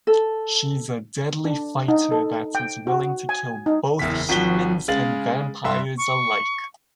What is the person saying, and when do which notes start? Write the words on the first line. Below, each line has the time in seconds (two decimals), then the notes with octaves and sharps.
She's a deadly fighter that is willing to kill both humans and vampires alike.
0.07 A4
1.45 D4
1.88 D#4
2.11 A4
2.55 G5
2.87 F#4
3.29 G#5
3.66 D#4
3.99 F#1 E2 B6
4.29 G#1 F3 F#4 B6 G7
4.88 C#3 G#3 F5 A6 F#7
5.65 G2 E5 C6
5.98 C#6